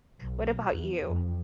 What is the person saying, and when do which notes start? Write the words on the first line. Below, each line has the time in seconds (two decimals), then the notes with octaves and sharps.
What about you?
0.21 B1
0.76 E2
1.07 F2